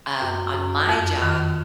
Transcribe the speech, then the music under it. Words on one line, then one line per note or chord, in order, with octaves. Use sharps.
Um, on my job
F#2
F#2
F2
D#3